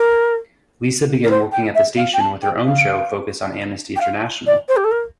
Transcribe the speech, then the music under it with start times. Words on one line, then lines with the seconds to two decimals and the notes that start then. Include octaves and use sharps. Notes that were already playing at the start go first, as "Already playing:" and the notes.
Lisa began working at the station with her own show focused on Amnesty International.
Already playing: A#4
1.23 A#4
1.30 C5
1.52 G5
1.75 E5
1.97 F5
2.14 G5
2.20 A5
2.42 G5
2.66 F5
3.96 G5
4.01 F5
4.46 D5
4.68 C5
4.77 G4
4.84 A4
4.91 A#4